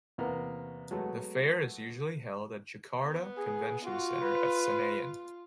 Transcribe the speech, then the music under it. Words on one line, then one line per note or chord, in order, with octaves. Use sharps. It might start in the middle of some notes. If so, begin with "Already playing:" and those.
The fair is usually held at Jakarta Convention Center at Senayan.
E2 C3 A#3 B3 A#4 F6
F#3 G#3 A3 B3 F#4
B3
G#4
F4 F#4
B4